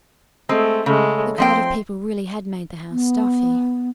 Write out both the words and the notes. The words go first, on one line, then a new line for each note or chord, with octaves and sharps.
The crowd of people really had made the house stuffy.
G#3 A3 C4
C#3 G#3 A3
F3 C4 G5 C6
B3